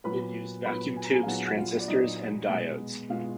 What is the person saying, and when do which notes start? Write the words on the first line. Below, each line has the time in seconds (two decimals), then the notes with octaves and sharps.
It used vacuum tubes, transistors, and diodes.
0.04 A#2 F#3 B3 B4 B5
0.65 A#2 F#3 B3 B4 B5
0.96 G#5
1.04 A#5
1.13 G#4 G#5
1.23 F5
1.27 A#2 F#3 B3 F#4 F#5
1.47 F#5
1.57 F4 F5
1.79 D5
1.88 A#2 F#3 B3 D#4 D#5
2.49 B2 G#3 B3
3.09 B2 G#3 B3 F4 F5